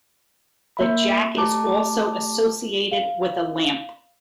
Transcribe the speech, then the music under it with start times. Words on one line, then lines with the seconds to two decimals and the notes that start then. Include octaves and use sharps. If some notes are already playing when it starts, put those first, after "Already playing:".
The jack is also associated with a lamp.
0.77 A#3 E5 B5
1.37 A3 G4 A5 D6
2.91 F5